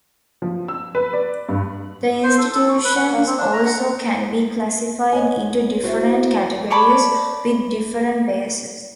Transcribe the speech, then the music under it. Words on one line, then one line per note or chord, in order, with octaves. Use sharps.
The institutions also can be classified into different categories with different bases.
F3
E6
B4
D5
G2
C5
A4
A4
C#6
B4
F#5
A#3
C4
D4
A#5
F#5
C#5 D#5 F#5 G#5
E4 F#4 C5 E5
C#5 D5 A5 B5